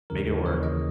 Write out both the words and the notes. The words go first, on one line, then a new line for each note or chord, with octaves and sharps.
make it work."
D#2 C#3 E3 A#4
D#2 C#3 E3 C#5
D#5